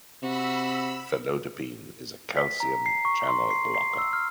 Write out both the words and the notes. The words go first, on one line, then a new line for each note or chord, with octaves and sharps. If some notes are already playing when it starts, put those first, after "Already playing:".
Felodipine is a calcium channel blocker.
C3 F#4 B5 E6
B6
A#5
C7
C#6
C6
C7
C7
E6
F6